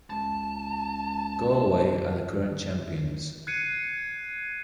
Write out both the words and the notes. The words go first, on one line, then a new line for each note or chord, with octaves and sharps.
Galway are the current champions.
C#2 A5
F#6 G#6 C7 C#7 D#7